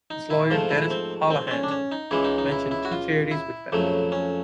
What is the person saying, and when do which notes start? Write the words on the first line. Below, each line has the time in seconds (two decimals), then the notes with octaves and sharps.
His lawyer, Dennis Holahan, mentioned two charities which benefited.
0.10 D#4
0.30 E4
0.50 G#2 F3 A3 F4
0.70 E4
0.91 C4
1.30 C4
1.47 C4
1.51 C#4
1.63 D4
1.71 C#4
1.92 D#4
2.11 C#2 C#3 E3 G#3 E4
2.24 D#4
2.38 D#4
2.51 E4
2.71 E4
2.85 F#4
2.92 F4
3.31 E4
3.72 F2 C#3 F#3 A3
4.12 C#4